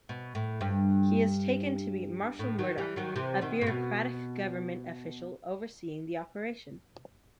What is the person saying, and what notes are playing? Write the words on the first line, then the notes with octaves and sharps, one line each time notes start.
He is taken to meet Marshall Murdock, a bureaucratic government official overseeing the operation.
B2
A2
G2
A2
D#3 F#3
E3 G3
D#3 F#3
C3 E3
B2 D#3
A2
B2